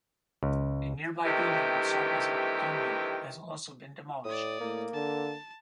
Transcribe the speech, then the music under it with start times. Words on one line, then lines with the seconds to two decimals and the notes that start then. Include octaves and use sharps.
A nearby building that served as a convent has also been demolished.
0.43 C#2
1.25 G2 C3 D#3 E3 A3 G4
4.25 A2 D5 D#6
4.60 A2 A#3
4.94 D3 A5